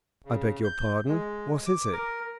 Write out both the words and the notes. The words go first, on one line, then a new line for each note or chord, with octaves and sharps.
"I beg your pardon; what is it?"
C#3
G6
G#3
D6
A#4